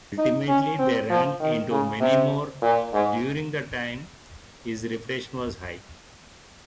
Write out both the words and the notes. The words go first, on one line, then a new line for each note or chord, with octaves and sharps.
Ultimately they ran into many more during the time his reputation was high.
D#4
C#4
C4
F3
D#3
C#3
C3
A#2
G#2